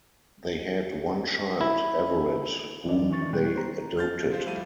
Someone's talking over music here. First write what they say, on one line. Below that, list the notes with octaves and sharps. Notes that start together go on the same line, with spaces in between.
They had one child, Everet, whom they adopted.
E4
D#2 E3 F3 D4 D5
D#3 E3 D4 C#6 A6
E2 B2 G3 G#3 G5 F#6
C5 A#5
F6 G6 A6
F3 F4 C5
F3 G3 A3 E4 F5 D#7